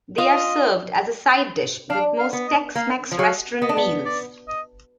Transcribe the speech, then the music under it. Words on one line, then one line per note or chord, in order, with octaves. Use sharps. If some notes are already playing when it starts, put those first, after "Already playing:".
They are served as a side dish with most Tex-Mex restaurant meals.
F4 D#5
D4 F5
F5
B3
D#5
A#3 F5
F3
F#3 F5
B3 D#5
D4
B3
D5
D#5